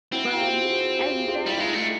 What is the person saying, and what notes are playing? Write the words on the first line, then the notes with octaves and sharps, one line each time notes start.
Um, and then
C4 E4 F#4
F#4
F4 G4
G4
F#4 G#4
F4 G4
G#4
F4 G4
G3
E4
G#3 D#4 F4
A3